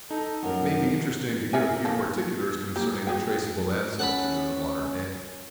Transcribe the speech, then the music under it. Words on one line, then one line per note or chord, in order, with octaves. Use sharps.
It may be interesting to give a few particulars concerning the traceable ancestors of the modern Dandie.
D#4 A4
F#2 F3 A#4 F#5
A#4 E5 G#5
D#3 A#3 A4
A#3 G4
F#4 G#4 G5
C#4 F#5 A5 B5